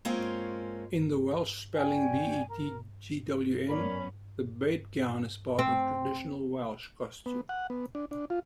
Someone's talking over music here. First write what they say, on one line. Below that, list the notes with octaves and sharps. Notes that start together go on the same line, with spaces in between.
In the Welsh spelling "betgwn", the bedgown is part of traditional Welsh costume.
G#3 A#3 C4 C#4 F4 C#5
C#4 D5 G5 G#5
A#4 A#5
F#2 B3 C#4 A#4 D5 B5
C4
B3
F#5
B3
D4
D4
F4